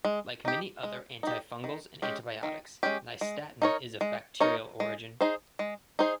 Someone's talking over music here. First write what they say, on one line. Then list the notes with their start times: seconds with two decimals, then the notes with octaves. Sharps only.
Like many other antifungals and antibiotics, nystatin is of bacterial origin.
0.05 G#3
0.45 D#4 G4
0.83 G#3
1.23 D#4 G4
1.64 D#3
2.02 G#3 C#4 G4
2.43 D#3
2.83 G#3 C#4 G4
3.21 G#3
3.62 D#4 A#4 C#5
4.01 G#3
4.40 D#4 A#4 C#5
4.80 G#3
5.21 D#4 G#4 C5
5.59 G#3
5.99 D#4 G#4 C5